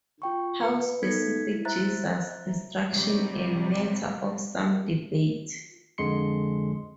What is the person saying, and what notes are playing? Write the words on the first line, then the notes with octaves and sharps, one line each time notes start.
How specific Jesus' instruction a matter of some debate.
F4 G5 C#6
A#4 B4 B5 C#7
B3 D#4 A4 G#6 B6 C#7
E4 B6
C5 E5 A#5 F#6 A6
C3 F#3 G3
F2 D3 G#3 C6 C#7